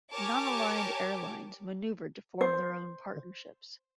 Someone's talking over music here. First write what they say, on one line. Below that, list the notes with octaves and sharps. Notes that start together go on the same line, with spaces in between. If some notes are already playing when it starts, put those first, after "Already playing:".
Non-aligned airlines maneuvered to form their own partnerships.
G4 A#4 C#5 G#5 A5 D6
C5